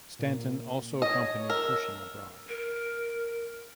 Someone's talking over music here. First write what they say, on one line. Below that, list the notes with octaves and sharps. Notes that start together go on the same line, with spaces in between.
Stanton also accompanied Cushing abroad.
A#2
C#5 D#5
A#4 E6
A#4